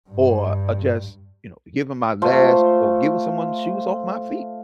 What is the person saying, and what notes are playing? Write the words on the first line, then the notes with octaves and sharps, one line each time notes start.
or, uh, just, you know, giving my last or giving someone shoes off my feet.
G2
A3 F4 C5